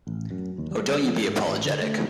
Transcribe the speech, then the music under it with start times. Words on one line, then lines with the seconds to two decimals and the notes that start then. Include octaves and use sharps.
Oh, don’t you be apologetic!
0.07 A1
0.31 F#2
0.58 D#2
0.71 G3
1.04 F3
1.28 G#2
1.47 A1
1.64 D3
1.81 A3